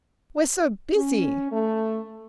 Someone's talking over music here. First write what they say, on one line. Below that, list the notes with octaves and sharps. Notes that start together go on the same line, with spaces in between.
"We're so busy."
C#4
A3